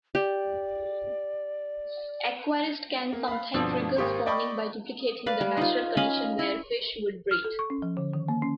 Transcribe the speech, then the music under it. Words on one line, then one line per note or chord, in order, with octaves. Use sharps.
Aquarists can sometimes trigger spawning by duplicating the natural conditions where fish would breed.
G4 D5
A#3
F5 B5
G1 B2 F3 D4 C5 E6
G#1 A#3 G4 C5 C#6
D5 D#5 G5 B5 C#6
B4 D5 F5
G3
D#4 F4
C#4 D#5 F5 B5
E4
F6
A4
C#6
C#4
F3
D3
D#3
A#3
C#4